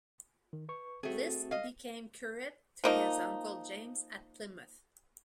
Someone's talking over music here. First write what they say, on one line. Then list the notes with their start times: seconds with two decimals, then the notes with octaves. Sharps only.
Bliss became curate to his uncle James at Plymouth.
0.53 D#3
0.69 B4 C#6
1.03 A3 C4 F#4 G#4
1.51 D#5 F5
2.84 F3 A#3 D#4